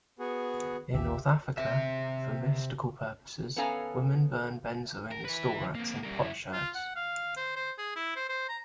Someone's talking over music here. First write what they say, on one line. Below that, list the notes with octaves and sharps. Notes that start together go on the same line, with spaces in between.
In North Africa, for mystical purposes, women burn benzoin and storax in potsherds.
B3 F#4 G#4
A1 D#2 G4 E5
C3 E5
B3 C#4 A4 F5 G#5 A#5
A#4
E4 B4
A#3 C4
G3 A#4
F#2 E4
F4
F#5
F5
C5
C5
G#4
E4
C5
C5
A#5